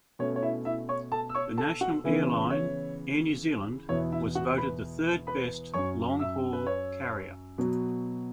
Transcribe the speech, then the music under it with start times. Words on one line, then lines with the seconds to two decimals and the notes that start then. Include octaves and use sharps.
The national airline, Air New Zealand, was voted third-best long-haul carrier.
0.19 B2 A3 C#4 C#5
0.36 C#5
0.42 E4 E5
0.65 E4 E5
0.89 C#5 C#6
1.12 A4 A5
1.29 E6
1.35 C#5 C#6
1.58 A4 A5
1.81 F#4 F#5
2.04 C#3 E3 B3 E4
2.50 C#5
3.89 E2 B2 B3 E4 C#5
4.12 E4 E5
4.35 F#4 F#5
4.58 B4 B5
5.27 B4 B5
5.74 F#2 F#3 C#4 C#5 C#6
6.19 E5 E6
6.53 B4
6.66 C#5
7.58 B2 F#3 B3